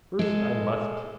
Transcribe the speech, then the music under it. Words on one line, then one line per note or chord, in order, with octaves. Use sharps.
First I must.
G#3 A4